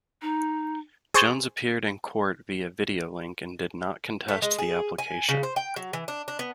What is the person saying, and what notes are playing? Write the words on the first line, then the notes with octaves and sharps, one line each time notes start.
Jones appeared in court via video-link and did not contest the application.
D#4
G#4 C5 C6 C#6 A6
A3
G#3
G#4
G#5
C#3
C5
G5
F#3
E3
D4
D4
B3